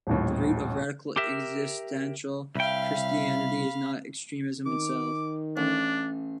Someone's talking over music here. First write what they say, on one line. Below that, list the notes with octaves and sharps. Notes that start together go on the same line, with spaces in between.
The root of radical existential Christianity is not extremism itself.
D#1 A1 D#2
G4 A#4 E5
C2 E5 F5 G5 B5
D#3 D6
A1 D4